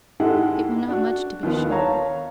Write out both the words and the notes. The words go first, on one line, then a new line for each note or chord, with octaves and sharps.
It were not much to be sure.
G#2 G#3 E4 G4 A4 F#5
D4 F#4
D#2 F3 B3 F4
C#5 F5 A5 A#5 C#6